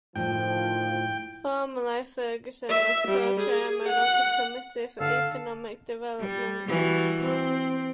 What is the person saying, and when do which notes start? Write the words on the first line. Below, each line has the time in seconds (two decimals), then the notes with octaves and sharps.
Formerly, Ferguson was Co-Chairman of the Committee for Economic Development.
0.16 A2 D3 D#3 F3 G5
2.69 E5
3.07 G3
3.40 G#4
3.88 F#5
5.00 D3 A4 F5
6.20 G3
6.67 E3 G3 F#4
7.23 C4